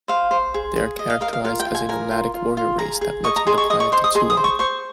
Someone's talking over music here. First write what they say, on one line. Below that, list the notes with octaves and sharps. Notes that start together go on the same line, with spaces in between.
They are characterized as a nomadic warrior race that lives on the planet Tatooine.
C5 F5
C5
G#4
G#4
D#5
F5
A#4 F5
F5
F4 F5
G5
F4
G#5
A#4 G#5
F4
F4
F4
G#4 A#5
G#4
D#5 C#6
A#5
G#4 C6
C#6
D#5 D#6
C#6
C5 C6
D#6
G#4 C6
D#6
C5
C#6
C5 C#6